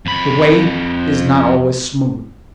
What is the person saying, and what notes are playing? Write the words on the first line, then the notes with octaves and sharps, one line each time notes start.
The way is not always smooth.
F2 B5